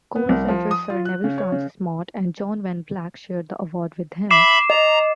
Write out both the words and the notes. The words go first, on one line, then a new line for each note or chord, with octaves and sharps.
Co-researchers Sir Nevill Francis Mott and John van Vleck shared the award with him.
B3
C2
F3
D#6
F4
F#6
C#3
C#5
C#3
E5 B5 D6 C7 E7
D#5 A#5